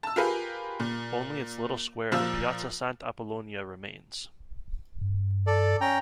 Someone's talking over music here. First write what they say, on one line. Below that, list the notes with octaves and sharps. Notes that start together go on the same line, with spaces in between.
Only its little square, the "Piazza Sant'Apollonia" remains.
A5 E6
F4 G4 G#4 A#4 B4 F5
A#2
A#2 F3 F4 E6
G2
A4 D5
C#4 G5 A#5